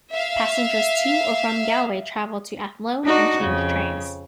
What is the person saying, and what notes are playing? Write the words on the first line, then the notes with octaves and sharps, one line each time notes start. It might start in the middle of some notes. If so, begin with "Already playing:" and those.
Passengers to or from Galway travel to Athlone and change trains.
E5 F5
D4 D#4 F#4
F2 C#3